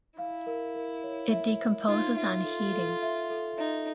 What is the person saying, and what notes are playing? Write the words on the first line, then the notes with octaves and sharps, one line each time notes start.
It decomposes on heating.
E4 F5
A#4
A#4
C#5
E5
E5
D#4 F4
F4 E5
A4
A4
E5
A4
D#4 E5